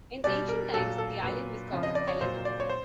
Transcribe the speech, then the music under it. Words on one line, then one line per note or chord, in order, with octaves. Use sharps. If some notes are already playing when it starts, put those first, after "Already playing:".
In ancient times the island was called Helena.
B2 G3 D5
A#4
A#2 F#3 A4
A4
A#2 F#3 B4
F2 C#3 F3
D#5
D5
C#5
A#2 F#3 C5
D5
C#5
C5